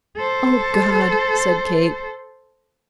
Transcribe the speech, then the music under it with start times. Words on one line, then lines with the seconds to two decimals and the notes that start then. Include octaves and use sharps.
"O God!" said Kate.
0.17 A4 C5